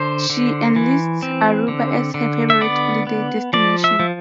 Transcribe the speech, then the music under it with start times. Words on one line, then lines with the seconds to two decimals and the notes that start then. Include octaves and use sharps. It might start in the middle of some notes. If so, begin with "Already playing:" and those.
She enlists Aruba as her favorite holiday destination.
Already playing: D3 C5
0.30 D3
0.76 E3
1.23 C4
1.68 D3
2.14 D3
2.50 E5
2.61 B3 D5
3.07 B3
3.53 F3 D5
3.84 E5
4.00 F3